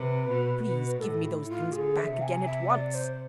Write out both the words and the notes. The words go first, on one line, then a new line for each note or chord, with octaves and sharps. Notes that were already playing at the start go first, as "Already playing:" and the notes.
"Please give me those things back again at once!"
Already playing: C3 B4
B2
B2
A2 A4
E4
A2
F4
D3 G#4
E5
C3
G#5
E5
D5
C5